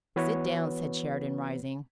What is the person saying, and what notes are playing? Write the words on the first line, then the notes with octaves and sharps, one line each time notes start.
"Sit down," said Sheridan, rising.
E3 B3 F#4 B4 C#5